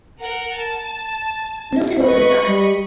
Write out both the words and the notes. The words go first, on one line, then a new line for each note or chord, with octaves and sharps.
Milton Rosenstock.
A#4 F#5
A5
B4 D#5 B5 C#6
G3